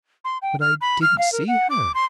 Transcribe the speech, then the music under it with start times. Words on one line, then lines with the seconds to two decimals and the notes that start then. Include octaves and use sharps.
"But I didn't see her."
0.25 C6
0.42 G5
0.61 F6
0.81 B5
1.02 F6
1.18 F5
1.32 A#4
1.48 F#5
1.70 D6
1.95 C6